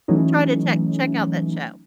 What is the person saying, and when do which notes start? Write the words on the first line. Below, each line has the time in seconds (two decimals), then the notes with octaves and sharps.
try to che check out that show.
0.08 E3 F#3 A3 C#4 D#4